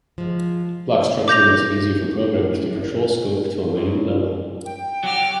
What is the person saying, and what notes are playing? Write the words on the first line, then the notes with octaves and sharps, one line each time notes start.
Block structure makes it easier for programmers to control scope to a minute level.
F3 G#3
D6 G6 A#6 F7
C#2
G5
F#3 F#4 G4 D6 F6